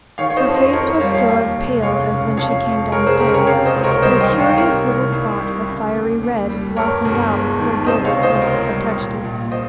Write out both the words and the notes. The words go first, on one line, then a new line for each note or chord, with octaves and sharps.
Her face was still as pale as when she came downstairs, but a curious little spot of fiery red blossomed out where Gilbert's lips had touched it.
D#3 C#5 F5
C#5
C5 D#5
F2
C5 D#5
F2 A#4 C#5
A#4 C#5
G3 C#5 F5
C#5 F5
D#2
F1
G#3 C#5 F5
C#3
F2 C#5 F5
F1
G#3 A#4 C#5
G#4 C5
C#3 G4 A#4
A#4 C#5
C3 C#5 F5
C5 D#5
C#2
A#4 C#5
G3 C5 D#5
D#5 G5
D#3
C#5 F5
C3 A#4 C#5
C2
C2
G3
C#3
D#2
D#2
G3
G2 A#4 C#5
G1
G#3
D#3
C3 C5 D#5
C#5 F5
C#2
C5 D#5
C#2 A#4 C#5
G3
A#2
A#1
C5 D#5